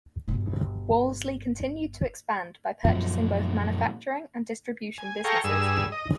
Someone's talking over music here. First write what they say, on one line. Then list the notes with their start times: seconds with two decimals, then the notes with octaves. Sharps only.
Wolseley continued to expand by purchasing both manufacturing and distribution businesses.
0.28 G1 B2
2.85 F#2 A#2 F3
4.98 G#5
5.24 G#4 A4 F5 G5 A#5 C#6
5.44 G2 G#4 E6
5.92 D#5